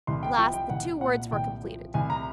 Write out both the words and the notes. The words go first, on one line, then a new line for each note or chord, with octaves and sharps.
At last the two words were completed.
C2 C6
G5
F3 G5
G5
C2 F#5
A#2 F#5
C2 G5
F3
C2 G#5
A#5